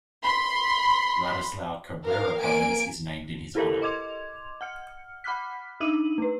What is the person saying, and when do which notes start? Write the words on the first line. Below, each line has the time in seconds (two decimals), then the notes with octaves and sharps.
Ladislao Cabrera Province is named in his honour.
0.23 B5 C6
2.03 A#4 F5
2.40 A#3 G#5 D7
3.55 E4 G4 A4 A#4 C5 F5
3.81 D#5 C6 D6 G#6 F7
4.61 F#5 F6 C#7
5.24 F#5 B5 D6 F6 F#6 B6
5.80 D4 D#4 D6 E6 D#7 F#7
6.18 A3 B4